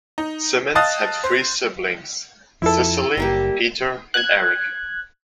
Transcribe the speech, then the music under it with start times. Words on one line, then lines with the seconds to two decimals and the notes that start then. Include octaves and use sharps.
Simonds had three siblings, Cicely, Peter and Eric.
0.18 D#4
0.75 D#5 F5 A5 D#6 F#6 A6
1.24 C5
2.62 F2 F3 E4 A4
3.17 F#1 G3 A#3 G4
4.14 F#6 G#6